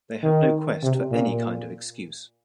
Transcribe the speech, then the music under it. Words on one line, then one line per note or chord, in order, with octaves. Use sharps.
They have no quest for any kind of excuse.
D#3
C3
A#2